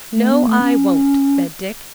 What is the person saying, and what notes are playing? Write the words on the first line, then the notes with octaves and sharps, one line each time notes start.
"No, I won't," said Dick.
A3
B3
A3
C#4